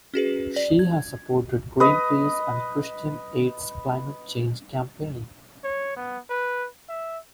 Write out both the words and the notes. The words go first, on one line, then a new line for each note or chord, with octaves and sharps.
She has supported Greenpeace and Christian Aid's climate change campaign.
C#4 F#4 G#4 B4
D5
G#6
B4 D#5
C#5
B3
B4
E5